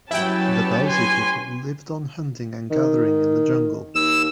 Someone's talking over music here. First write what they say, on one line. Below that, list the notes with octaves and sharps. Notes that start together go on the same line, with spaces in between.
The Bauzi people lived on hunting and gathering in the jungle.
F#3 C#4 E4 G4 B4 G5 A5
G#5 C6
D#3
D#2 E6